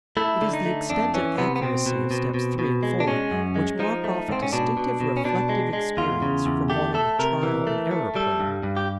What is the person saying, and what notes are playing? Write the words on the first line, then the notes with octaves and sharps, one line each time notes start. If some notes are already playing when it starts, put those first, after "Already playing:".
It is the extent and accuracy of steps three and four which mark off a distinctive reflective experience from one on the trial and error plane.
A3 E4
D3
D#4
A3
F2 D4
E3 C#4
C3 B3
B3
B2 C4
B2
B2
B2
B2
G#3
D4
G#3 C#4
F#2
G#3
F3 D#4
A3
G#2 C4
C#4
B2 D4
B2
B2
C#4
B2 D4
G#3
G#3
E2 F4
C#3
E2
A3 G4
A3 A4
C3 A#4
E3
A3
A3
G3 A4
G2
G2
G4